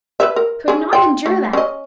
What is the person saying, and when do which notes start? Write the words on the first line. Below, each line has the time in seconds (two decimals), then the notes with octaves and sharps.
I could not endure that.
0.20 B4 C#5 E5
0.36 A#4
0.68 C#4 G#4
0.93 F4 G5
1.26 A3
1.53 C#4 D#5